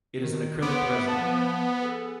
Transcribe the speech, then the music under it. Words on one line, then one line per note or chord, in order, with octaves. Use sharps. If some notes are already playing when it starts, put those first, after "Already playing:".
It is an acrylic resin.
D#3
B3 C5 C#5 D6
E5 B5
F2 A#3 A5
F3
G#4 A4